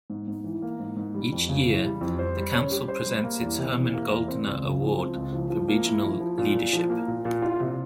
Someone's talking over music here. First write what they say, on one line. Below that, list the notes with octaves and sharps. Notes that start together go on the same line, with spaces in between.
Each year the council presents its Herman Goldner Award for Regional Leadership.
G#2
G#2
E3
A#3
G#2
G#2
G3
F2
C#3
E3
G3
F2
C5
G3
C#4
G4
C5
G3
A#3
E2
C3
E3
A#3
E2
C4
C#2
C#3
F3
C4
C#2
F3
F3
A#3
E4
F3
F3
A#2
A#2
F3
A#3
A#2
A#2
F4
C3